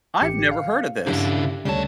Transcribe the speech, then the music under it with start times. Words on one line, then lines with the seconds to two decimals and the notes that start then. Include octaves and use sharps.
I've never heard of this.
0.21 A1 G4 C#7
0.51 F5
1.07 G2 C#3 D4 E4 G4 F5
1.65 D2 C#3 G3 A4 C#5 D5 A5